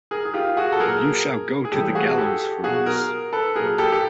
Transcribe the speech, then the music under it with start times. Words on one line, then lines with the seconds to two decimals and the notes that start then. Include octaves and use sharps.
You shall go to the gallows for this.
0.11 G#4 A#4
0.25 G#4
0.34 F4 G4
0.57 F#4 G#4
0.72 A4
0.80 A#2 F#3 G#4 A#4
1.65 G#4
1.72 A2 E3 G3 G4 A4
1.95 F#4 G#4
2.18 G4 A4
2.64 B2 F#3 F#4 G#4
2.86 G#4 A#4
3.33 A4 B4
3.56 A#2 F#3 G#4 A#4
3.78 G4 A4
3.92 G4